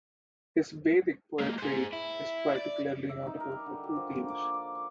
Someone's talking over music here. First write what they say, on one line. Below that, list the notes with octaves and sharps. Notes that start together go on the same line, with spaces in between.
His Vedic poetry is particularly notable for two themes.
G#3 A#3
G#4 C5
E4
D5
E5
D#4
A#4
G3
D3
G4
F3
A#3
D6
D5
C#6